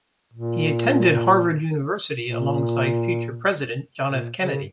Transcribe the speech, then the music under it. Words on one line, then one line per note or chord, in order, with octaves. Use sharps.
He attended Harvard University alongside future president John F. Kennedy.
A#2
A#2
A#2
C#3